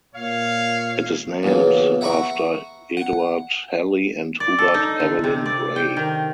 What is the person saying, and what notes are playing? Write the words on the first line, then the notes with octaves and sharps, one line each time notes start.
It is named after Eduard Helly and Hubert Evelyn Bray.
A#2 C#5 F5
B1 E2 A#2 C#3
E5 F#5 A#5 B5 C#6
F#5
D5
A4
D#4
D3
C3
D5
G5
D#3